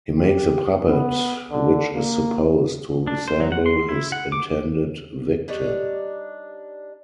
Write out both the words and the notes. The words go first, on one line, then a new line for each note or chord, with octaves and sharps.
He makes a puppet which is supposed to resemble his intended victim.
G4
B3
D3
A#3
D4
C5
F#3
F#5
C6
E4
F#5
D6
G3 D4 D#4 C#5